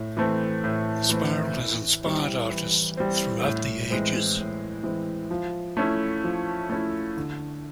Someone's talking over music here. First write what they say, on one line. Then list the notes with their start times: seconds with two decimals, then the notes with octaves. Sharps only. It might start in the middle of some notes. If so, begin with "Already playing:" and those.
The spiral has inspired artists throughout the ages.
Already playing: A2
0.17 E3 A3 C4
0.64 A2
1.09 E3 A3 C4
1.56 E3
2.04 G3 C4
2.50 E3
2.97 G3 C4
3.44 A2
3.90 E3 G#3 C4
4.37 A2
4.83 E3 G#3 C4
5.31 F3
5.77 A3 C#4 E4
6.24 F3
6.70 A3 C#4 E4
7.17 D3